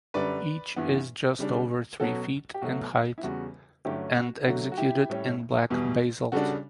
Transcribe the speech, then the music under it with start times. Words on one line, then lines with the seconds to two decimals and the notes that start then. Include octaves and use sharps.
Each is just over three feet in height and executed in black basalt.
0.14 F#2 D3 G3 D4 B4 D5
0.76 G2 E3 B3
1.39 C#3 G3 D4
2.00 B2 F#3 C#4 F#4 A4
2.54 G4
2.61 B2 F#3 A3 F#4
3.18 E4
3.23 E2 C#3 G3 F#4
3.85 G2 D3 F#3 A3 C#4 E4 G4
4.16 F#4
4.47 D3 F#3 A3 F#4
4.72 F#4
4.77 E4 G4
5.10 A2 G3 C#4
5.70 E2 B2 G3
6.32 C#3 G3 D4 F#4 A4